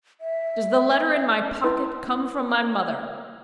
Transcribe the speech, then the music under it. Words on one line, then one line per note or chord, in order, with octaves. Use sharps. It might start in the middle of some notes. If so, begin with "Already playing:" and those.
"Does the letter in my pocket come from my mother?"
E5
C#4 E4 B4 D#5 A5 C6